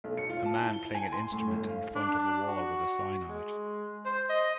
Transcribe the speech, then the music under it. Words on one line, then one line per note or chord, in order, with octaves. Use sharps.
A man playing an instrument in front of a wall with a sign on it.
B1
C#7
F4
A5
E4
G7
G#5
C6
A2
G1
F5
D4
F#4
G#3
C5
D#5